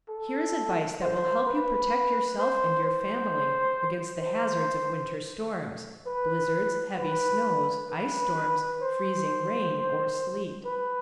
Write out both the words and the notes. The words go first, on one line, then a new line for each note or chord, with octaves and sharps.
Here is advice that will help you protect yourself and your family against the hazards of winter storms--blizzards, heavy snows, ice storms, freezing rain, or sleet.
A4
C5
B4
C5
C5
C5
B4
B4
B4
C5
B4